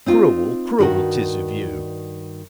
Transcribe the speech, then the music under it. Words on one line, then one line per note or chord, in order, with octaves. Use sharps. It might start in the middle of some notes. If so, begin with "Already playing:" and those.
"Cruel, cruel, 'tis of you!"
C4 D#4 F4
G2 D#3 F#4 A#4